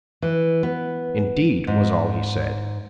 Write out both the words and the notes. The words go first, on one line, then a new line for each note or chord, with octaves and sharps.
"Indeed!" was all he said.
E3
B3
G#2